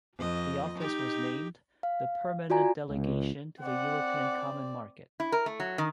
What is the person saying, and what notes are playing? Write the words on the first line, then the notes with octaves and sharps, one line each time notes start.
The office was named the Permanent Delegation to the European Common Market.
F2 D#5
D#4 G4
F5
F4 F#4 D5 G#5 A#5
C#2
C4 D5 F#5
E4
A#4
A3
F#3
D#3